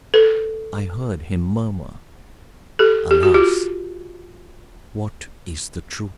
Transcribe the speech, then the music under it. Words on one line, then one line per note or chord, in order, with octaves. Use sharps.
I heard him murmur, "Alas! what is the Truth?"
A4 B4
G4 A4
G4
F#4
F4 G4